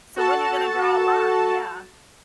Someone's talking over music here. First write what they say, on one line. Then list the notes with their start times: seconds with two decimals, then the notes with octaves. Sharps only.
So, when you gonna draw a line? Yeah.
0.16 F#4 A4 A5